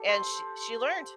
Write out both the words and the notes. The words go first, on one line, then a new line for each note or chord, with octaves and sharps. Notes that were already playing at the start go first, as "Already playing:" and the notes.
And sh she learned.
Already playing: G4 A4
C5